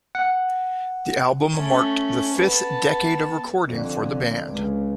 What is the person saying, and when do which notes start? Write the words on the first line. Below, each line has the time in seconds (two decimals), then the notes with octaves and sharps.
The album marked the fifth decade of recording for the band.
0.15 F#5
1.53 A3 C#4
2.34 B3 A5
3.67 F2 D3
4.47 C#2